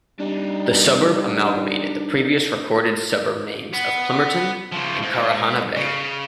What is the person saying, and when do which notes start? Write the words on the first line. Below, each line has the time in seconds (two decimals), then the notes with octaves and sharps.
The suburb amalgamated the previous recorded suburb names of Plimmerton and Karehana Bay.
0.20 G3 D4 D#4
3.73 B3
4.72 C#3 F3
5.02 G#2
5.76 C#3